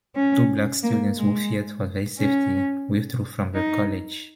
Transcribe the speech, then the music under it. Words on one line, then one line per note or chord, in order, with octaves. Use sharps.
Two black students who feared for their safety withdrew from the college.
C#4
A#3
G#3
C#4
D#4